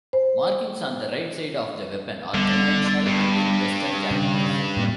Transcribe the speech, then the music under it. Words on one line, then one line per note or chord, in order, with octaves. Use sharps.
Markings on the right side of the weapon are conventional and in western characters.
C5
D3 G3 B3
G2
C#3 C#4 D4
A2 A#3 C4